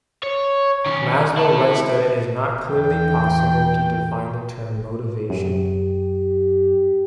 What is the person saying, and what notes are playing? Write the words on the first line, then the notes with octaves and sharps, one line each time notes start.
Maslow writes that it is not clearly possible to define the term motivation.
C#5
D#3 C#4
E4 A5
E2 G5
F#2 G4